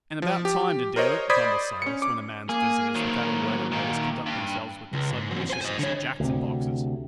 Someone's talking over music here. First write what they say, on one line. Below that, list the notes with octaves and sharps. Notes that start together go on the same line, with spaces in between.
'And about time to do it,' grumbles Silas, 'when a man's visitors, without a word of notice, conduct themselves with the sudden wiciousness of Jacks-in-boxes!
F3
G4
A#4 C5 C#5 D#5
C5 D5 B5 D#6 G#6 B6
C#4 C#7
D6
A#3 G#4
D#3 F#3
A#2 D#3
G2
C#2
G#2
E2 F#3
C5 G#5
C5 D#5
D3 C#5
D2 C3